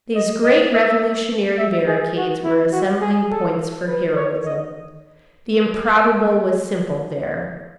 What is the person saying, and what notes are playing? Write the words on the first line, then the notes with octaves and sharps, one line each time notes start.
These great revolutionary barricades were assembling points for heroism. The improbable was simple there.
D#5
D#5
E5
E5
G#4
F#4
E4
F#4
G#4
A4
B4
C#5
D#5